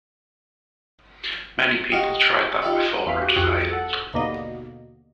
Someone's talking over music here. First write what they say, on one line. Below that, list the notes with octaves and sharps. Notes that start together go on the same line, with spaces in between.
Many people tried that before and failed.
G4 D#5 F5 F#5 C#6
D#4 F4 G4 D5 E5 B5
E2 E3 F5 B6
F#4 G4
C2 F2 C4 F#4 G#4 F#6
A4 F#5
D#2 B2 D3 A#3 B3 D#5